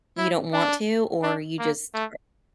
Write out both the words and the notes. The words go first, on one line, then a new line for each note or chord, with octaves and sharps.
you don't want to? Or, you just
E4
D4
D4
A#3
A3